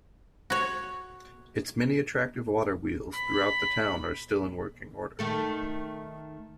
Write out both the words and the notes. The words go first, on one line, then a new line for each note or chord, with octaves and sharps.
Its many attractive water wheels throughout the town are still in working order.
F#4 C#5
B5
D#3 A3 A4